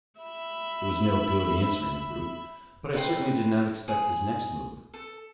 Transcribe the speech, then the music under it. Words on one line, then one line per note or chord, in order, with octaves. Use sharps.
It was no good answering the brute; but I certainly did not expect his next move.
E5 B5
D#4 B4 C5 G5
G#4
A4